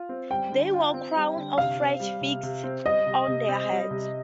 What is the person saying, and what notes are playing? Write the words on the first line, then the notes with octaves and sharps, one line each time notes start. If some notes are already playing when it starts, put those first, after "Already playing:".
They wore crowns of fresh figs on their heads.
Already playing: F4
C4
G3 G5
D3
F4
C4
G3
D3
C3 F5
C4
G3
C3
C3
C4
G3 D#5
C3
C3
C4
G3
C3